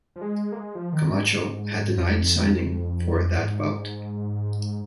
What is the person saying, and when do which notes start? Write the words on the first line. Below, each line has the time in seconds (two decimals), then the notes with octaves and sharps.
Camacho had denied signing for that bout.
0.16 F3
0.21 G#3
0.52 A#3
0.56 G#3
0.75 F3
0.93 D#3
1.09 G#2
1.97 F2
3.38 G#2